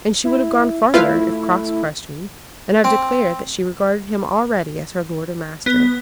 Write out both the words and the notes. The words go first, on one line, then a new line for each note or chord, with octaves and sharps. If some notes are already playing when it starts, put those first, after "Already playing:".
And she would have gone farther if cross-questioned, and have declared that she regarded him already as her lord and master.
E4
A3 E4 F4 B4 F5
C4
B3